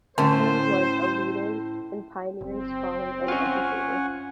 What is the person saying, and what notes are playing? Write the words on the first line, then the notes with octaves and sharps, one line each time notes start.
Tucker was a leading and pioneering scholar and educator.
A2 D3 C#4 C5 A5
F#1 C4
C#4 F4 F#5 G#5 C#6